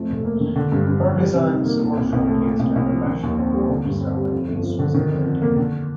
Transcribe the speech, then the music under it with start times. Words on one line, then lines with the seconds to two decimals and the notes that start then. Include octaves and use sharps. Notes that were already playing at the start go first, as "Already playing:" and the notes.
Her designs were showcased at the Fashion Awards Ceremony in Switzerland.
Already playing: F2 A3
0.09 F1
0.25 A#3
0.40 D#3
0.56 D3
0.72 G2
0.87 G2
1.03 F3
1.18 G3
1.34 C3
1.51 D#4
1.65 A#3
1.81 A#2
1.97 C2
2.12 C2
2.28 A3
2.44 A#2
2.59 C2
2.76 C2
2.91 F3
3.06 D#3
3.23 D#2
3.39 C4
3.54 G3
3.69 D3
3.86 G2
4.01 C4
4.16 G3
4.32 F2
4.48 G1
4.63 F3
4.79 D3
4.94 D#3
5.11 F2
5.26 F2
5.42 A#3
5.57 D3